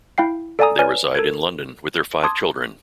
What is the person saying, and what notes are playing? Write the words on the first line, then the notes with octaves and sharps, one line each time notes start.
They reside in London with their five children.
E4 F5 G5 C7
A4 D5 F5 G#5 A#5 D#6
B4 C#5 D5 G#5 F6
A4 A#4 G#6
A5 C6 D6 D#6 G#6